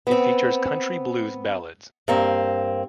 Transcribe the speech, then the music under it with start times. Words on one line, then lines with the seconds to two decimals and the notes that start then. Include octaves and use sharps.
It features country blues ballads.
0.07 B3 C4
2.08 G2 A#3 C4